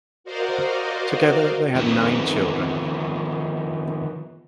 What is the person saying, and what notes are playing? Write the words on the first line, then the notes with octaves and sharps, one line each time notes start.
Together they had nine children.
F#4 A#4 C5 D5 D#5 F5
D#3 F3 B3 C4 E4